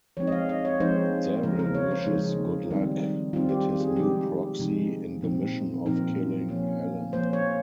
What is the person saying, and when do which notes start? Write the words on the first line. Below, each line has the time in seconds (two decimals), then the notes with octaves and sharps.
Daryll wishes "good luck" at his new proxy in the mission of killing Helen.
0.17 F3 G#3 C4 D#4 C#5
0.27 D#5
0.32 F5
0.49 D#5
0.65 C#5
0.80 F3 G#3 C4 D#4 C5
1.43 C#3 F3 G#3 A#4
1.59 A#4
1.75 C#5
1.91 C5
2.06 C#3 F3 G#3 D#4
2.71 D#3 G3 C4 D#4
3.33 D#3 G3 C4 D#4 F4
3.49 G4
3.80 G#4
3.96 C3 F3 G#3 D#4 G4
4.60 C3 F3 G#3 D#4
5.23 A#2 F3 C4 D#4
5.86 A#2 F3 C4 D#4 A#4
6.49 F3 A#3 C#4
7.12 F3 A#3 C#4 C5
7.33 C#5